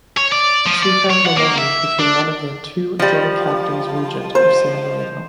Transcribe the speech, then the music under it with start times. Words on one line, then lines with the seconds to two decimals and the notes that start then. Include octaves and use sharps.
Assunta Meloni became one of the two Joint Captains Regent of San Marino.
0.17 C#5
0.32 D5
0.66 F3
0.82 D5
1.10 C#5
1.26 F#5
1.37 A#3
1.58 E5
1.99 D4
2.99 F3 G3
4.35 C5